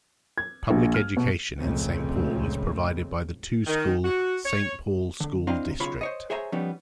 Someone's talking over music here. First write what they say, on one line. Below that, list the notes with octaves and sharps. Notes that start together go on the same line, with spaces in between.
Public education in Saint Paul is provided by the two-school Saint Paul School District.
G#6
A#1
F6
B2
F1 C#2 A#2 C#3 A3 C4
D#3
F#4
C#5
D3
C4 D4 E4 D#5 F5 A#5
B1 C#3 F4 C#5 B5
C5 C#5 D#5
G#4 C5 C#5 E5 G#5 A#5
F3 G3 B3 C#4 D#4